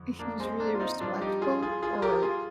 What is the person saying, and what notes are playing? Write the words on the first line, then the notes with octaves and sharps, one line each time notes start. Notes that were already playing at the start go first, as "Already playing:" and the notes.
He was really respectful or
Already playing: F2 D3
A#3 D4
G#3 C4
A#3 D4
F4
C4 D#4
G2 F3 D4 F4
D#4 G4
F4 G#4
F4 G#4
F4 G#4
G4 A#4
F4 G#4